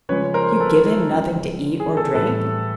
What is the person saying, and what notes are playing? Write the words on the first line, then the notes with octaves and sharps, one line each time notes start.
"You give him nothing to eat or drink?"
C#3 F3 G#3 B4 C#5
A#4 C5
A4 B4
C#3 F3 G#3
G#4
A4
A2 E3 G3 A4 B4